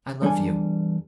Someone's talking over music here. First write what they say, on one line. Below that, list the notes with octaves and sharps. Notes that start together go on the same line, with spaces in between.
"I love you!"
E2 G3 D4 A4 G#5